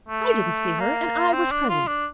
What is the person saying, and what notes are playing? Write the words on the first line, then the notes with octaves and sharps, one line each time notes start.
"I didn't see her, and I was present."
A3
A#3
C4
D4
F4
D4